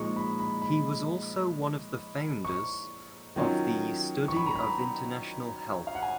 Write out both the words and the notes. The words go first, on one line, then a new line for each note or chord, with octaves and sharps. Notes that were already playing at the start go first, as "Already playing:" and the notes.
He was also one of the founders of the study of international health.
Already playing: A#2 F3 G#3 D#4 C#6
B5
B5
B5
C#6
D#3 F#3 C#4 F4
C#6
B5
A#5
B5
F5
F#5
G#5